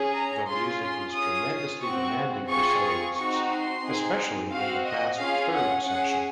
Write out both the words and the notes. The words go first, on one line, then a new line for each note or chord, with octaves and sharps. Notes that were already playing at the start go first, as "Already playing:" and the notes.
The music is tremendously demanding for soloists, especially in the fast third section.
Already playing: C#4 G#4
A#5
C#4 F4 G#4 C6
C6
C#4 F4 G#4 D#6
C4 F#4 C#6
C4 F4 G#4 C#6
C#6
C4 D#4 F#4 C#6
C6
C4 D#4 G#4
C4 F#4 F5
D#5
C#4 F4 G#4 F5
F#5
C#4 G#4 F#5